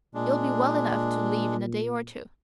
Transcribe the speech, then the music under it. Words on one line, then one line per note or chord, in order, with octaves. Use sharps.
You'll be well enough to leave in a day or two.
A#2 G#3 D4